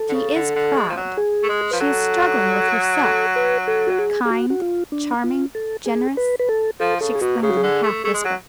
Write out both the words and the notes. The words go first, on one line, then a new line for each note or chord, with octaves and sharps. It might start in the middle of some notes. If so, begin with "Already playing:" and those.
"She is proud, she is struggling with herself; but kind, charming, generous," she exclaimed, in a half-whisper.
Already playing: A4
D3
C#3
D3
D3
G#3
F3
F#3
G#4
A3
G#3
F3 B4
F#3 A4
A4
B4
A4
F#4
G#4
G#4
F#4
F#4
F4
D4
F4
A4
G#4
B4
B4
A4
F3 A4
C#3 A4
G#4
B2 F#4
C#3 G#4
F#4
G#4
D3
A3
A3 G#4
G#3
F#3